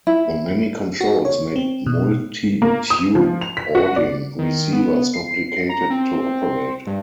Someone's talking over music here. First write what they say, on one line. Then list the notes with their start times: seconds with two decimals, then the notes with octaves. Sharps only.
The many controls made multitube Audion receivers complicated to operate.
0.07 E4
1.01 F#4
1.25 C#5
1.56 C4
1.86 B2
2.62 A#3
2.90 D#6
3.15 F3
3.41 F7
3.57 B6
3.75 F#4
3.96 D5
4.39 D#3
4.73 B3
5.14 C7
5.69 A#5
5.90 C4
6.87 G2